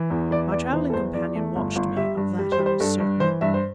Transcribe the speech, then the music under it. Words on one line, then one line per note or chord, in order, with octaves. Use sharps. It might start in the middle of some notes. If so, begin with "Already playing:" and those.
My travelling companion watched me; of that I was certain.
Already playing: E3
E2
E3 D5
E2 D5
E3 C5
A4
E2 C5
E2 D5
A3
G1
G1
G3 E5
G2
G3
C5
G3
C5
G2 A4
G2
E3 C5
G2 E5
C5